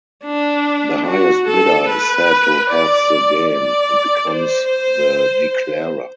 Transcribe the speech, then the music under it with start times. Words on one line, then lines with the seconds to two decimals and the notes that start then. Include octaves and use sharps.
The highest bidder is said to "have the game" and becomes the declarer.
0.24 D4
1.06 F#4
1.47 A4
1.88 B4
2.70 D5
3.51 D5
4.33 C5